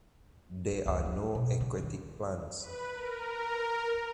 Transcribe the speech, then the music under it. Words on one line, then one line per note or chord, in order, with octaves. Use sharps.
There are no aquatic plants.
F4
D2 A#3
D4
B2
C#3 F#3
D#2 D#3
B4
A#4